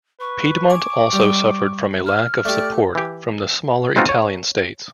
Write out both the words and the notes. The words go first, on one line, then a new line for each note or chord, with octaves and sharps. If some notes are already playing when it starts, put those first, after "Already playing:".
Piedmont also suffered from a lack of support from the smaller Italian states.
B4 C#6
G#5 D6
G3
F6
A3 G4 D5
E3 G4
G#3 B3 C4 D#4 F4 F#4
C#5